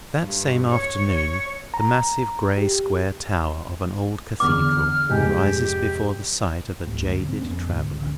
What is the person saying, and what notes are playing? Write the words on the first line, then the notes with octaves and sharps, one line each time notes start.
That same afternoon, the massive gray square tower of an old Cathedral rises before the sight of a jaded traveller.
G2
C#5
C#5
A#5
G4
E2 D3 B3 D6 F6
F1 G#2 G4 G#5
C#2 G#2 A3
D2 G2
C4
F2 B3 C#4
D2 G#2
D2 D3 G3 C#4